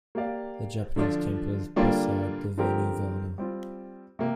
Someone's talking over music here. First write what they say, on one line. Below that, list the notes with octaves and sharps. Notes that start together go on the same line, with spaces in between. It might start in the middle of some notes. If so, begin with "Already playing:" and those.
The Japanese temple is beside the Venu Vana.
A#3 G4 D5 F5
D3 F3 D4 F4
D3 G3 A#3 D4 F4
D3 F3 C4 G4 A#4
G3 C4 F4
C3 A#3